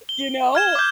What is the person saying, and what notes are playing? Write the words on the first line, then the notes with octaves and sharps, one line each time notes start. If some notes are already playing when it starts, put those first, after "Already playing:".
you know?
G7
F6 G#6 E7
D6 G6